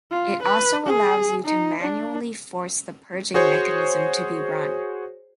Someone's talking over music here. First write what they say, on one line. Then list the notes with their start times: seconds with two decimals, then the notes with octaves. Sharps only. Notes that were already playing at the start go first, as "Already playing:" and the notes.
It also allows you to manually force the purging mechanism to be run.
0.11 F4
0.43 B4
0.86 G#4
1.45 D#4
1.81 D4
3.34 F#4 G#4 C5 C#5